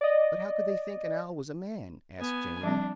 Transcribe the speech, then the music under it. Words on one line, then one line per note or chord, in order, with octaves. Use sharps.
"But how could they think an owl was a man?" asked Janey.
D5 D#5
B3 G#5
F3 G3 C4 D4